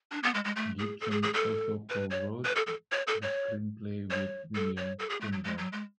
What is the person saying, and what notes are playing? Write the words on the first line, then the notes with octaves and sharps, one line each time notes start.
Gipson also cowrote the screenplay with William Tunberg.
D4
B3
G#3
G#3
A3
G#4
A4
G#4
G#4
A4
B4
C#5
B4
A4
A4
C#5
A4
C#5
C#5
A4
C#5
A4
G#4
A3
F#3
G#3
F#3
G#3